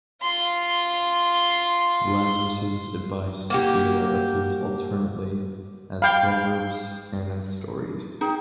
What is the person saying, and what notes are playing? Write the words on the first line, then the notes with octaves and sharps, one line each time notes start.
Lazarus' advice to Ira appears alternately as proverbs and as stories.
F4 C6
A#3 F#4 G4
F5 G5 B5
D#4 G#4 G5